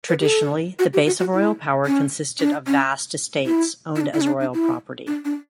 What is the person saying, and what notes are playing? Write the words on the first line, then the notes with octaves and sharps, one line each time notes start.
Traditionally, the base of royal power consisted of vast estates owned as royal property.
B4
G4
A4
F#4
G4
F#4
F#4
E4
C#4
D4
C#4
E4
E4
D4
E4
C#4
D4
D4
E4
D4
D4